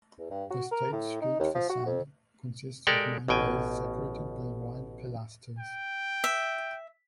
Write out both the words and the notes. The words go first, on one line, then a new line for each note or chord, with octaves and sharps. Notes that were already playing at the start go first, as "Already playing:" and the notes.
The State Street facade consists of nine bays separated by wide pilasters.
E2
G2
F#4
A#4
A2
D#4
D#2
F3
F#4
F2
G#3 G4 A4 A#4 D5 G5
A1 B2 G5 G#5
G5
E5